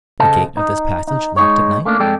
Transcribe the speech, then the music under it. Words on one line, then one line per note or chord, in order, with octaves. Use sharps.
"Is the gate of this passage locked at night?"
C#3 A4 C5 D#5 A5
D#4
D#4
G#3 D#4 C#5
A3 A#3 C#4 D4 D5
F2 G#3 A4 D5 G5